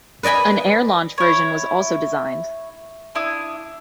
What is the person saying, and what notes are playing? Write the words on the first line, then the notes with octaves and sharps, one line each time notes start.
An air-launched version was also designed.
B4 D5 D#5 G#5 B5
E4 C#5
D4 E4 D#6